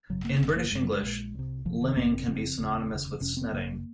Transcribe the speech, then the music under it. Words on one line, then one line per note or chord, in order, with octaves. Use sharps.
In British English, limbing can be synonymous with snedding.
G#1 F#2 C#3 F#3
A#3
G#1 F#2 C#3
A#3
F#1 F#2 C#3 G#3
F#3
G#3
A#1 A#2
C2 C3
F1 F2 C3 F3
D#3
G#1 F#2 C#3 A#3
C4
F#1 F2 C#3 C4
F1 D#2 C#3
F1 D#2 C#3
F1 F2 C3 C#4
C4
G#1 F#2 C#3 A#3